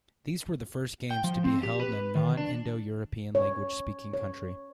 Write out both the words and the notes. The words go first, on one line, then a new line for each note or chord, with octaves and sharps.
These were the first games to be held in a non-Indo-European language speaking country.
G5
F3
C4
G4
B4
D#3
D4
C#5
C#5